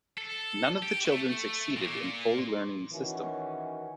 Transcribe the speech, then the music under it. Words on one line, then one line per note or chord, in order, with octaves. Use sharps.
None of the children succeeded in fully learning the system.
A4
G4
A3
A#2
D#3 E3 C#4 F#4